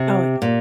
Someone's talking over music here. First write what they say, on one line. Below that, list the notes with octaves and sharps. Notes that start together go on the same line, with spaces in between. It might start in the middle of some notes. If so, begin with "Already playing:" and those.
Oh, yeah.
Already playing: C3
A#2